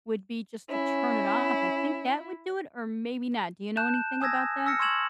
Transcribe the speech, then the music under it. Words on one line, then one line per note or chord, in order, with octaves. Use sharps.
would be just to turn it off, I think that would do it, or maybe not, do you know anything about that?
C#4 E4
A5 F#6 G6 E7
G#5 D#6 E6 G#6 A#6
E6 F6 A#6 C#7
C6 C#6 E6 G#6 E7 F#7